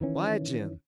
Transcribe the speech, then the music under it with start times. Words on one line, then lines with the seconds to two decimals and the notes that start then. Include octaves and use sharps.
"Why, Jim?"
0.01 D#3 E3 C#4